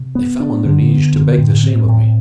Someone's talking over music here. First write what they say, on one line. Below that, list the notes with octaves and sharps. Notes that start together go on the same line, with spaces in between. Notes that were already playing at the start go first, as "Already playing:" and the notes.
They fell on their knees to beg the same of me.
Already playing: C3
B3
D4
D3
B3
D3
A2
C4
A2